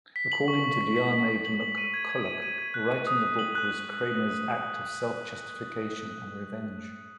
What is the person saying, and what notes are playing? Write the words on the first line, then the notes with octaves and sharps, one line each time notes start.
According to Diarmaid MacCulloch, writing the book was Kramer's act of self-justification and revenge.
B6
F#7
C#6
C#6
B6
B6
B6
C#6
F#7
F#7
D#7
G#6
G#6
D#7
D#7
G#6
F#6
D#7
D#6
D#6
F#7
F#6
F#6